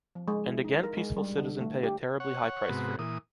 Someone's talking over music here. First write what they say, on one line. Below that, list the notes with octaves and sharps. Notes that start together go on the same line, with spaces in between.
And again peaceful citizen pay a terribly high price for it.
F3
G#3
E4
D#4
A#4
G#3
G3
D3
A3
G4
C#5 F#5
G#2 C3 B3 F#4
A#2 E3 D#6